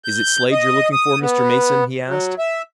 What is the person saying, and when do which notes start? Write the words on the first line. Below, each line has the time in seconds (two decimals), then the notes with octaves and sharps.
"Is it Slade you're looking for, Mr. Mason?" he asked.
0.05 G6
0.52 D#5
0.92 D#6
1.21 B3
2.08 F#3
2.39 E5